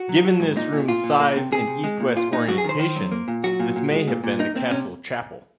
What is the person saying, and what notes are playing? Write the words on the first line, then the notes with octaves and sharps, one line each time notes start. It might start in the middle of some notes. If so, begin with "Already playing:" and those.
Given this room's size and east-west orientation, this may have been the castle chapel.
Already playing: F#4
F#3
F#3
G#2
A#2 D#4
A#2
A#2 F4
A#2
A#3
C3
C3 G#4
C3
G#3
A#2
A#2 F4
A#2 D#4
F#2 F#4
G#4
D#3 C5
D#3 C5
F#2
A#3
A#2
F#3 F#4
A#2
A#2
G#3
A#2
A#2
A#3 D#4
A#3 C4
C3 C#4